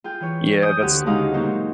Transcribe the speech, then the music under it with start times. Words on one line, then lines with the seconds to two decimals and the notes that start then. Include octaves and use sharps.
Yeah, that's
0.04 F4 G#4 G5
0.21 E3 C#5
0.62 G#5 D#6 G6
0.82 D2 F#4 G4 F#6
1.06 D2 C#3 G#3 D#4 F5 D#6
1.33 A#2 F#3 D#4 F#4 C5